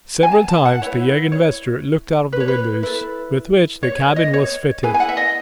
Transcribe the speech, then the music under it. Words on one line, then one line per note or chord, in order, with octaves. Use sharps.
Several times the young investor looked out of the windows with which the cabin was fitted.
G#5
A5
A5
F#5
E4 B4 C#5
C#5
B4
C#5
B4
E4 A4 B4
C#5
C#5
D#5
C#5
E4 G#4 B4 G#5
G#5
F#5
E5
D#5